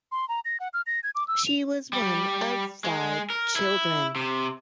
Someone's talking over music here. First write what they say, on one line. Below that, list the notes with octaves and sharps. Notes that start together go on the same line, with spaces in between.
She was one of five children.
C6
A#5
A#6
F#5
F6
A#6
G#6
D6
E6
F7
G3
G#3
A#4
E4
C3